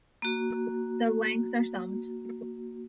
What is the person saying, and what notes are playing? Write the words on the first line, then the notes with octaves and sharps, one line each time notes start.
The lengths are summed.
A#3 F#4